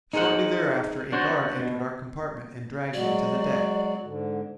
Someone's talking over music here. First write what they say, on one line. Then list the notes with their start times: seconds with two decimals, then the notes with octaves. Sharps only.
Shortly thereafter a guard entered our compartment and dragged me to the deck.
0.13 D#4 G#4 A#4 C5 F#5
1.12 D4 F#4 C5 C#5
1.59 B2
2.94 F#3 G#3 F#4 D5
4.03 G#2 D3